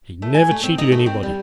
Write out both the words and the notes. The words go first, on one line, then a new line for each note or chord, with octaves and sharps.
He never cheated anybody.
A3
G#5
A3
C4
D#4
A3
C4
G3